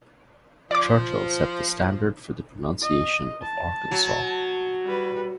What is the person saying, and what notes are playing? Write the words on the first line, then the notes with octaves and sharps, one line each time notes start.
Churchill set the standard for the pronunciation of Arkansas.
F3 D5 D6
D#5
A5
F#3
G3 B4